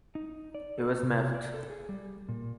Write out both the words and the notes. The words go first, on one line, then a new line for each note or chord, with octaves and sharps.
He was miffed.
D#4
D5
A4
C3
D5
A4
G#4
G3
A#2